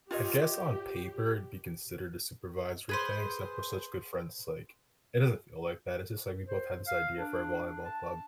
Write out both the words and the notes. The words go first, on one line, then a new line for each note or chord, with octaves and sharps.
I guess on paper, it'd be considered a supervisory thing, except we're such good friends, it's, like it doesn't feel like that, it's just, like, we both had this idea for a volleyball club.
F4 G4 C#5 D#5
G#4 B4 C5
C5
F5
D4
A5